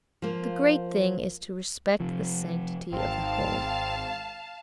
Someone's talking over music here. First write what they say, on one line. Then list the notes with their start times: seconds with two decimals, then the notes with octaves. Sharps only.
The great thing is to respect the sanctity of the home.
0.22 F3 A#3
2.00 C3 F3
2.92 G#1 C4 F5 A5